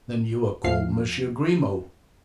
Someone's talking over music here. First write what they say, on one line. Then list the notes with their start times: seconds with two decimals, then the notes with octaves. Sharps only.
"Then you are called Monsieur Grimaud?"
0.64 E2 F3 F5 C7